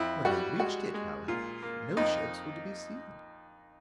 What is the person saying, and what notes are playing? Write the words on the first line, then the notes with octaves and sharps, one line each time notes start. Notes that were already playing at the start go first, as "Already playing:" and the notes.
When they reached it, however, no ships were to be seen.
Already playing: F2 E4
G3 F#4
G#3 F#4
G#3
A#2 F4
A#3
F2 D#4